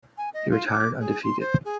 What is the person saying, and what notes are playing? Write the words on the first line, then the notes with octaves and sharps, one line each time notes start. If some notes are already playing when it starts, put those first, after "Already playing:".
He retired undefeated.
G#5
D#5
F4
D6
G#4
C6
C5
G#4